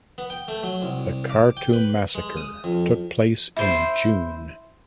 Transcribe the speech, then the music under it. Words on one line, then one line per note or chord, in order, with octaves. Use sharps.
The Khartoum massacre took place in June.
B3
G5
A3
F#3
C2
D6
G5
B4
G#3
D#6
F2
E4 C5 C6